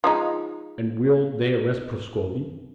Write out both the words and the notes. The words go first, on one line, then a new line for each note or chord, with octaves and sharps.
"And will they arrest Prascovie?"
F3 G#3 D#4